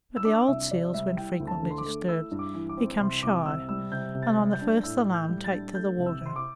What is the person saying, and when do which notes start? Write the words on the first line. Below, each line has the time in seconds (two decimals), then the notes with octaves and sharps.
But the old seals, when frequently disturbed, become shy, and, on the first alarm, take to the water.
0.17 E6
0.25 D4 D6
0.48 C2 E5
0.71 C3 D5
0.94 G3 E5
1.17 E4 G5
1.40 D2
1.47 A5
1.63 D3
1.70 C6
1.78 D6
1.86 A3
2.08 E4 E6
2.31 G2
2.39 D6
2.55 E3
2.69 D6
2.77 C4
3.00 C2 C6
3.23 C2 D6
3.46 C3 E6
3.69 G3 E6
3.92 C3 G6
4.15 C3
4.22 A6
4.37 G3
4.53 G6
4.61 D4
4.83 A2 E6
5.06 A2
5.14 G6
5.29 G3
5.44 A6
5.52 D4
5.75 A3 G6
5.98 C2
6.06 E6
6.21 C3 C6
6.36 D6